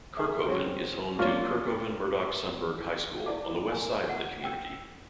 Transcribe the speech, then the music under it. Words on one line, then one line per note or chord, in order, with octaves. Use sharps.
Kerkhoven is home to Kerkhoven-Murdock-Sunburg High School on the west side of the community.
G#4 E5
F#3 G#3 C4 C#4 F#4
F#3 A#3 C#4 D4 F4
E4 D5 A5 D6
G#5
F#5
G5 E6